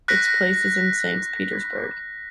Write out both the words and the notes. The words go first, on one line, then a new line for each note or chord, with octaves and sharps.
Its place is in Saint Petersburg.
F#6 A#6 B6